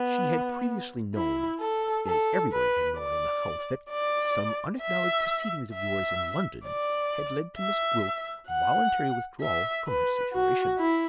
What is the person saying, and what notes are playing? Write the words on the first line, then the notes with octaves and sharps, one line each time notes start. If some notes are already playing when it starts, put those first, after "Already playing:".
She had previously known, as everybody had known in the house, that some unacknowledged proceedings of yours in London had led to Miss Gwilt's voluntary withdrawal from her situation.
Already playing: B3
E4
A4
A4
B4
D5
D5
E5
E5
D5
E5
F#5
E5
B4
F#4
E4